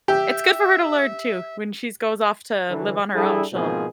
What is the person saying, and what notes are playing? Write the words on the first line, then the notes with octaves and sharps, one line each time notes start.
It's good for her to learn, too, when she's goes off to live on her own, she'll
G4 E5
D3 E3 F#3
G3 D4 E4 G#4 A4
G#2 B2 F3 A#3 C4 G#4